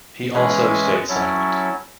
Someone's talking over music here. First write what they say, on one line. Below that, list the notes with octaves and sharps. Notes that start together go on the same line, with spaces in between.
He also stayed silent.
E3 G#3 C#4 G#4 B4
F#3 C#4 E4 A4